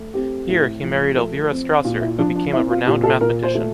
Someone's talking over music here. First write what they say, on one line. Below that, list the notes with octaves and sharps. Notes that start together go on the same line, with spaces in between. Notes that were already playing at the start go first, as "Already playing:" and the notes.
Here, he married Elvira Strasser, who became a renowned mathematician.
Already playing: A3
C4 G4
A2
F3
A3
C4
A#2 F4
E4
F3 D4
D4
C4 E4
F4
A#2 G4
A4
A#2 A#4
C5
A3